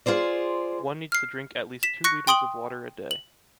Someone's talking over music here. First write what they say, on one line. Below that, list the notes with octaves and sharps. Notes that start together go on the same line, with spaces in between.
One needs to drink at least two liters of water a day.
F4 G#4 C5 D5
F6 C7
B6 E7
C#6 F#6 A#6 C#7
G5 C6 D#6 D7 F#7
F#7